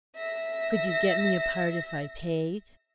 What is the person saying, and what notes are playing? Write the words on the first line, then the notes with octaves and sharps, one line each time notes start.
"Could you get me a part if I paid?"
E5 A#6